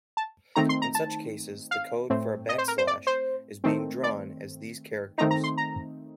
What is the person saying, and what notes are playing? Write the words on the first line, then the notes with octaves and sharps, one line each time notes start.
In such cases the code for a backslash is being drawn as these characters.
A5
D#3 A3 C4 D#4 A#5
C6
A#5
A5
F5
A2 A3 C4
D#5
C5
A#4
C5
D5
C5
D#3 A3 C4
D5
D#3 A3 C4 D#4 A#5
A#5
C6
A#5